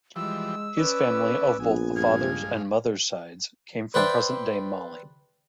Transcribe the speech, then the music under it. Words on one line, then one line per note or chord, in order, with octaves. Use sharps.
His family of both the father's and mother's sides came from present day Mali.
E3 F3 G3 G#3 E6
C#4 B4 D5
A#1 B3 G#5
G2 G#3 F5 G#6
B4 C5 D5 E5 G5